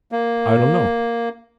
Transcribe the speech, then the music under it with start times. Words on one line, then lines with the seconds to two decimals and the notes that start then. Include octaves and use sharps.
"I don't know."
0.12 A#3